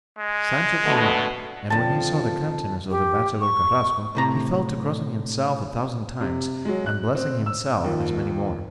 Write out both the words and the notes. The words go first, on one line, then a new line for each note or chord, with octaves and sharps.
Sancho came up, and when he saw the countenance of the bachelor Carrasco, he fell to crossing himself a thousand times, and blessing himself as many more.
G#3
B2 D3 A3
F2 D3 F3 A5
G4
C#6
A2 C3 A#5
C3
F#3 G#3
F#6
C4
E6
D#2 F3